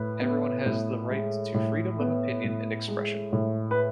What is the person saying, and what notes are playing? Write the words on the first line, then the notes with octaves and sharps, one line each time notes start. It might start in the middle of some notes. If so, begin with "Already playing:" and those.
Everyone has the right to freedom of opinion and expression.
Already playing: A2 B4
B3
A2
G#3
A2
B3
A2
G#3
A2
B4